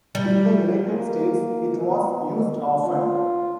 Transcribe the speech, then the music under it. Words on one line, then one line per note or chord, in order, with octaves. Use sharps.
In the United States it was used often.
G3
A#3
B2
F4